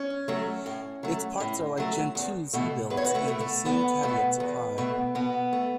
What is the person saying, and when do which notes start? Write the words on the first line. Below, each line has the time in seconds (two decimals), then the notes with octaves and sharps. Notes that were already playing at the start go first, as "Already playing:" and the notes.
Its ports are like Gentoo's ebuilds, and the same caveats apply.
Already playing: C#4
0.28 F#3 A3
0.66 A2
1.03 F#3 A3
1.40 A2
1.77 F#3 A3
2.15 E2
2.53 B2 A3
2.90 E2 B4
2.97 C#5
3.04 F#4 B4
3.15 A3
3.28 B2 A3
3.40 A3
3.65 E2 B3
4.03 B2 A3
4.40 E2
4.78 B2 A3
5.15 B2 B3
5.53 A3